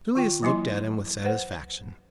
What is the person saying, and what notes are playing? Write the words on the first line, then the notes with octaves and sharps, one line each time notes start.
Julius looked at him with satisfaction.
D#3 F4 G5
E3 F#3 A#3 E4 D#5 C6
B4 C5 F#5